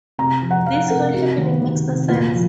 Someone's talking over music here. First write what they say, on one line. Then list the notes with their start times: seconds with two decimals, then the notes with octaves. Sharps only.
This whole happening makes no sense.
0.18 C3 A#5
0.42 F3
0.51 F#5
0.66 F3 F5
0.90 C3 A#4
1.13 C3 F#4
1.38 D#3
1.61 D#3
1.85 C3
2.09 A#2 F4
2.33 F3